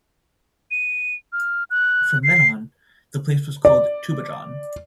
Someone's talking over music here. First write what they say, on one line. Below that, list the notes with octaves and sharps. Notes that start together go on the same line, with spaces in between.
From then on, the place was called "Tubajon".
D#7
F6
F#6
C7
D5